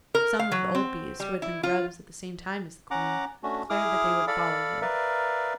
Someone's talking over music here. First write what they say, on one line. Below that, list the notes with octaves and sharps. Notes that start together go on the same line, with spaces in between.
Some of the old Bees, who had been Grubs at the same time as the Queen, declared that they would follow her.
A#4
F5
F#3
C4
G3
E4
F4
C#4 F#5 A#5 D6
A3 C#4 D4 F#4
E4 G#4 D6 D#6 F6
A4 D5 F5 B5
A#4 B4 D5 E5 F5